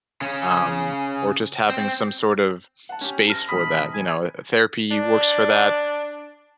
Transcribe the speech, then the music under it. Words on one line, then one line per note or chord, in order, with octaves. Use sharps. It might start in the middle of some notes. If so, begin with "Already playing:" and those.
um, or just having some sort of space for that, you know, uh uh, therapy works for that.
C#3 C#4
C4
F#5 A5
C#4 G4
A5 F6 A#6
E1 B5 D#6
G#5
D4 D5 A5